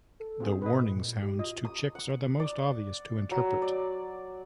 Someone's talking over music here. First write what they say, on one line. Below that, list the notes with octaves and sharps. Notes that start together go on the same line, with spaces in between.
The warning sounds to chicks are the most obvious to interpret.
A4
C4 F4 G#4
A2 B4 D#5
A#2
G4
F4 D#5
D#6
F#5
D5
F#3
D5